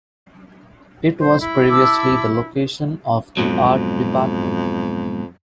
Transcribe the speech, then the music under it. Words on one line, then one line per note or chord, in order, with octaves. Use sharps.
It was previously the location of the art department.
C5
E4
A5 D6 E6
F2 G#2 B2 F#3